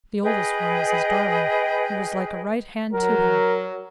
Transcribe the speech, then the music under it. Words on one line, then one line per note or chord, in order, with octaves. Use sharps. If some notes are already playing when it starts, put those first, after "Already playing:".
The oldest one was his darling, and was like a right hand to him.
G#4 B4 D#5 G5
F#3 A#4